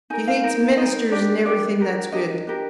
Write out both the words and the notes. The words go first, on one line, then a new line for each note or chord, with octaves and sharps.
She hates ministers and everything that's good.
D#4 A#4 G#5
F5
D#4 A#4
D#4 A#4 D#5
D4 G4 A#4 D5
D4 G4 A#4 D5
D4 G4 A#4
D4 G4 A#4 D#5
D4 G4 A#4